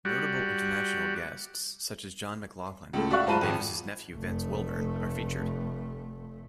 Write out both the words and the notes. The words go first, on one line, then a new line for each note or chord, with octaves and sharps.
Notable international guests such as John McLaughlin and Davis' nephew Vince Wilburn are featured.
G3 F#4
C#2 A2 A4
F#4 D5 E5 F5 C#6 F#6
G#2 F4 C5 A5 B5 D#7
G#1 F2
F1 A3